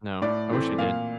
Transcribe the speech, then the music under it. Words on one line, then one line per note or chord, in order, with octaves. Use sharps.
No. I wish I did.
A2 D5
E3 A3 C4
A#2 F5